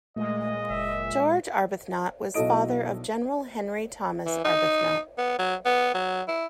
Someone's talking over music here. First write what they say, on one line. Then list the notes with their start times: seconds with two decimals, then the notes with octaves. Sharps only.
George Arbuthnot was father of General Henry Thomas Arbuthnot.
0.16 A#2 G#3 A3 D#5
0.70 F#1 E5
2.34 B1 E4 F#4 A4 D#5 D7
4.26 E3
4.44 D#4
5.18 B3
5.38 F#3
5.66 B3
5.94 F#3
6.28 E4